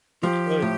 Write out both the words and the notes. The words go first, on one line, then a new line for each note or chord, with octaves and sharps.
We could.
F3 G4
A2